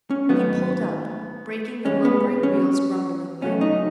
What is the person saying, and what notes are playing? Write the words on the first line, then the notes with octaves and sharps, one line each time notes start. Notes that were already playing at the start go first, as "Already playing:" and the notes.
He pulled up, braking the lumbering wheels grumblingly.
C#4
G#2 D#3 F#3 A3 B3
G#2 E3 G#3 C#4
B3
C#4
C#2 B2 F#3 A3 C#4
D#4